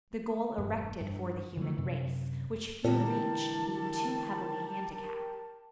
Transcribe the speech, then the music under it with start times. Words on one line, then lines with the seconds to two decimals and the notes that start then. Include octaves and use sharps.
The goal erected for the human race, which few reach, being too heavily handicapped.
0.58 E1 G2
1.01 G2
1.57 D3 F3 F#3 A3
1.78 F#2 C3
2.84 A#2 D3 E3 G#3 G4 A#4 A5